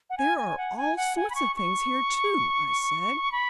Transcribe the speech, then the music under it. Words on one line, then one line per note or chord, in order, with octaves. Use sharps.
"There are all sorts of things here too," I said.
F#5
G#5
G#5
F#5
G#5
F#5
G#5
B5
C#6
C#6
B5